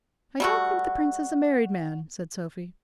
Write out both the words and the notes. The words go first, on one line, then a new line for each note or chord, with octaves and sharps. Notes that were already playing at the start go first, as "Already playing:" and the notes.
"I don't think the prince is a married man," said Sophy.
G3 A3 F#4